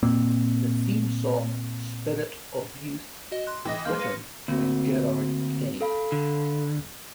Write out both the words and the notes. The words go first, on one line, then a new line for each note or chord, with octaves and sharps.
The theme song "Spirit of Youth" was written by Gerard Kenny.
A#2 A#3 C4
F#4 D#5
C6 F#6
E3 D#5 G5 A#6
G#3 A#3 C6 F6 G6
B4 A#6 C#7 D#7
D2 A#3 C4 F#4
A4 F5 B5
D3